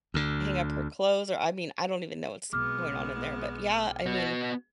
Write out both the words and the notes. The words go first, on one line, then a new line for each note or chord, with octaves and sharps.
hang up her clothes or, I mean, I don't even know what's going on in there, but yeah, I mean
D2 D3
B1 G#3 B3 C4 D6 F6
B3 F#4